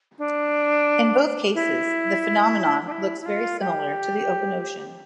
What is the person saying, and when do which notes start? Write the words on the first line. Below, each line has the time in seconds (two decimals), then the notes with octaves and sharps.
In both cases, the phenomenon looks very similar to the open ocean.
0.18 D4
1.54 E4
2.86 D4
2.91 E4
3.21 E4
3.26 F4
3.60 G4